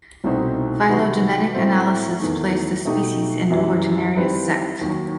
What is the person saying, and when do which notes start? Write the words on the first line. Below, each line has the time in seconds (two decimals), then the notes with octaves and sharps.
Phylogenetic analysis placed the species in "Cortinarius" sect.
0.24 C2 B2 A3 C4 D#4
0.89 C3 D#3 F#3 B3 F#4
1.54 A2 F#3 A3 C4
2.19 E2 D#3 A3
2.85 B2 A3 D#4 G4
3.50 F#2 E3 G3
4.16 D#3 G3 C4 E4 B4
4.81 D#2 D#3 F#3